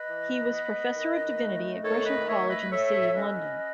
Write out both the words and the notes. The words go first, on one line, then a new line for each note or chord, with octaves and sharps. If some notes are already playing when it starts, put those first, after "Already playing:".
He was Professor of Divinity at Gresham College in the City of London.
Already playing: B4 D#5
E3
B3
D#3
A3
D#3 A4 C#5
B4 D#5
A3 C#5 E5
B4 D#5
A3 C#5 E5
C#4 B4 D#5